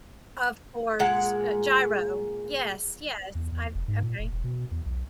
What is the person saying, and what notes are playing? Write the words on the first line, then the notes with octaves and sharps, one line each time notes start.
Of course, uh, gyro. Yes, yes, I've Okay.
A#2 G#3 F#5
E2
E2
F1
G#2
A#2
F1
E1
B2
E2
B1